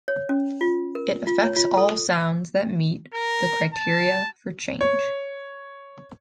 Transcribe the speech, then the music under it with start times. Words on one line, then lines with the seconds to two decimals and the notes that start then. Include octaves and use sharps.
It affects all sounds that meet the criteria for change.
0.08 C#5
0.29 C#4
0.61 F4
0.95 A#4
1.27 F4
1.43 C#5
1.56 F4
1.77 A4
3.14 A#4
3.74 A5
4.81 C#5